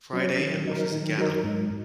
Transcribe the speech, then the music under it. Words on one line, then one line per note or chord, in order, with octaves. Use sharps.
Friday and Officer Gannon.
F#3 C#4
D#3
F#3 D#4 A#4
D#3
F#3 D#4 A#4
G#2